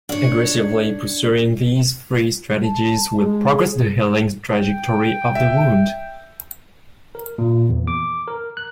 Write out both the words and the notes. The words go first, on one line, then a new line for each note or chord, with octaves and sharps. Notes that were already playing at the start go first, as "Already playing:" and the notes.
Aggressively pursuing these three strategies will progress the healing trajectory of the wound.
D4 C#5
A5
G#3
G#4
G5
E5
A#4
A#2
E2
D6
A#4
F#6